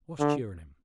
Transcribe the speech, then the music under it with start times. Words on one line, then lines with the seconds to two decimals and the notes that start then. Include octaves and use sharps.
What's cheerin' him?
0.19 D3